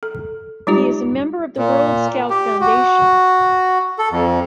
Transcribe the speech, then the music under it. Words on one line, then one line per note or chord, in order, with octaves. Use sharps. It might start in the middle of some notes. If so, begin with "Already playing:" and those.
He is a member of the World Scout Foundation.
A4
G3 G#3 D#4 F4 G4
A#2
G4
F#4
A4
F2